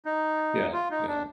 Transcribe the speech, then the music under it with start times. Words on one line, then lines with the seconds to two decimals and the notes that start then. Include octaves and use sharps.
Yeah, yeah.
0.05 D#4
0.73 F4
0.91 D#4
1.08 D4